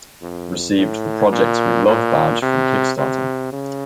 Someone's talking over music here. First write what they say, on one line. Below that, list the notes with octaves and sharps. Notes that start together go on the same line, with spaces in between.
Received the "Projects We Love" Badge from Kickstarter.
F2
A2
A#2
A#2
C3
C3
C#3